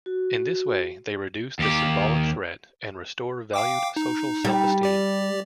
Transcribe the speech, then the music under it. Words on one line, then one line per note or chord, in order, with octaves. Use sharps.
In this way, they reduce the symbolic threat and restore valued social self-esteem.
F#4
D#2 G4
F5 G5 D6
D#4
G3
G4 D5